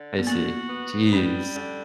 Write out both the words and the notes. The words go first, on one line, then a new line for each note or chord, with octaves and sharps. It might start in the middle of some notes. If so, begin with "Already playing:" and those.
I see. Jeez.
Already playing: D3
B3
A#3 F#4
B3
G3 C#4
D3